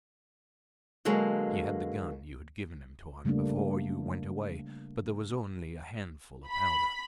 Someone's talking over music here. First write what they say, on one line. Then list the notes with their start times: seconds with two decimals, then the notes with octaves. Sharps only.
He had the gun you had given him, Tuan, before you went away, but there was only a handful of powder.
1.05 B2 D3 F#3 G#3 A#3
3.25 C#3 G3 A3 A#3 D4
6.49 B5